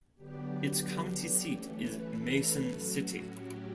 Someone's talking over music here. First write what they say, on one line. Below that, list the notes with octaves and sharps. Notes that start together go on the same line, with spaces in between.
Its county seat is Mason City.
D3 F#3 B3 D4 G4
G4
E3 A3 C#4 G4
B4
A4
A2 F#3 C#4 F#4
G4